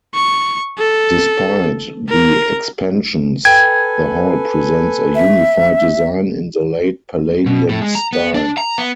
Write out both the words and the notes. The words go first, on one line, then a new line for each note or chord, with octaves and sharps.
Despite the expansions, the hall presents a unified design in the late Palladian style.
C#6
A4
A#4
A4 B4 G5 G#5 G#6
E5
B2
A2
G#3
A#5
B3
D4
A#5
B3